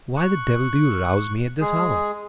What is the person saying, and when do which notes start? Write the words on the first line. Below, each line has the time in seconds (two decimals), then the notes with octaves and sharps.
"Why the devil do you rouse me at this hour?"
0.16 C#6 F#6
1.60 G#3 G#4